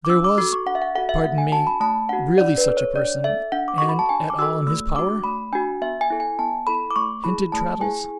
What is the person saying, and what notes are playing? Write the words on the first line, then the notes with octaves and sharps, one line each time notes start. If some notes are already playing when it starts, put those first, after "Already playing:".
'There was--pardon me--really such a person, and at all in his power?' hinted Traddles.
D6
D4 E6
D6
F#4 A4 D6
C#6
D4 F#5
E5
F#5
F#4 A4 F#5
E5
A3 F#5
G#5
D4 F#4 A5
B5
A3 A5
D4 F#4 F#5
D4 D5
B4
A4
C#5
D4 D5
A4 E5
D4 F#5
D6
F#4 A4 C#6
B5
A5
D4 G#5
D6
F#4 A4 E6
A3 E6
D4 F#4 D6
A3 B5
D4 F#4 G#5
B3 E5
G#5
E4 A4
G#5
B3 A5
E4 A4 B5
D6
A3 C#6
E4 G#4 B5
A3 A5
E4 G#4 G#5